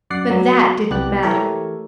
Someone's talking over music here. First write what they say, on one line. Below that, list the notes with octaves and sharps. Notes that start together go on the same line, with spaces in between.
But that didn't matter!
F#2 D5 F#5 C7
F#3 B3
C2 B3 G4 D5 F#6
E3 A3 G4 A4 A#4 C#5